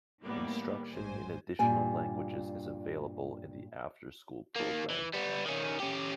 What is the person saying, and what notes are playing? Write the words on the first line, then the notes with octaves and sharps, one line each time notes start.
Instruction in additional languages is available in the after school program.
A2 D#3 G3 A#3 B3
A1 G#2 C5 G#5
G2 A#2 G3 G#5
D#3 A#3
E3
G3 B3
D#3 C#4
C#4 G4